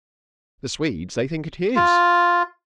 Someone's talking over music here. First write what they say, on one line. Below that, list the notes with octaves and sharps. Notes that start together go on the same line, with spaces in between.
The Swedes, they think it his.
F4